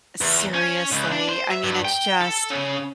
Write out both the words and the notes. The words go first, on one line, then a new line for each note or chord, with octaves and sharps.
Seriously. I mean, it's just
E2
C#4
C#2
D4
C5
E5
G2
G5
A4
C#3